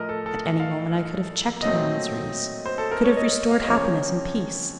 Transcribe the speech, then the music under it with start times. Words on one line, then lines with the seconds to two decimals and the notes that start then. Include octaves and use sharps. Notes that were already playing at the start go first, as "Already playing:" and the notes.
At any moment I could have checked their miseries, could have restored happiness and peace.
Already playing: A2 F3 A3 A#4 D#5
0.09 A4
0.26 A4
0.60 F5
1.62 A#2 F#3 A3 C4 D#5
2.66 C5
2.78 A4
2.91 A#4
3.04 C#5
3.17 D#5
3.51 F5
3.63 D#5
3.68 C#3 F3 C4 C#5